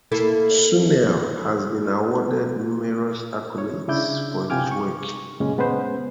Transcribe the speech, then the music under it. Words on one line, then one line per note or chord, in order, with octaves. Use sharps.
Suneel has been awarded numerous accolades for his work.
A#3 E4 A4
C#5
C#3 D4 E4 D6 G6
C3 F4 G5 G#5 D6 F6
C#6
F#2 A#2 C#3 G#3 C#4
G#3 B3 C#4 B4 C5